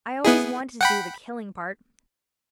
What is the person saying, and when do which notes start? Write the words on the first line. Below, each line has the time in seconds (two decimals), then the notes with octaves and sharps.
I always wanted to do the killing part.
0.24 B3 E4 G#4
0.81 F#5 G5 B5